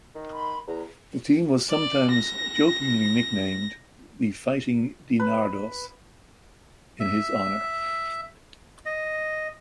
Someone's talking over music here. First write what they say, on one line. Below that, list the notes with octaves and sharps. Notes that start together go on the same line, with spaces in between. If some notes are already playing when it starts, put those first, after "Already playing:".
The team was sometimes jokingly nicknamed "The Fighting DiNardos" in his honor.
D#3
B5 C6
E2 A#5
D5
A#6
B4
E5
D#5